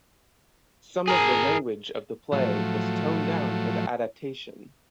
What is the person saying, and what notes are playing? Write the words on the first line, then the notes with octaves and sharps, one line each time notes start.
Some of the language of the play was toned down for the adaptation.
G#4 A#4
A2 F3 F#3 A3